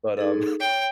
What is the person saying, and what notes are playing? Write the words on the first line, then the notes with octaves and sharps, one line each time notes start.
but, um,
D#4 G#4 A4
C#5 G5